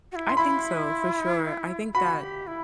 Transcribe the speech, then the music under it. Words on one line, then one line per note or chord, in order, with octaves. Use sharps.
I think so for sure, I think that
F#4
E4
C6
E4 B5
F#4 B5
G4
E4